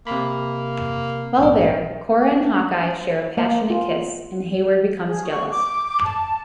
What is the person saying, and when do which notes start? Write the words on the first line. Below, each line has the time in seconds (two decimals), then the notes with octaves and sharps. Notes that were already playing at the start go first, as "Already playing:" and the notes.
While there, Cora and Hawkeye share a passionate kiss, and Heyward becomes jealous.
0.07 C3 A#3 B5
1.38 A#1 G#2 A#4
2.32 D4
3.37 A#3
3.70 F4
5.07 G#4
5.25 C#6
5.49 D6
6.04 A5